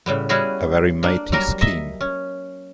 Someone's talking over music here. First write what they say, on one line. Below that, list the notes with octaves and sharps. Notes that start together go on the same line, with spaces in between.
A very matey scheme.
A2 C#3 G3 B3
G3 B3 C#4 E4 F#4 G#4
A#3 D4
F#3 G3 A#3 A#4
D#5 E5
C#4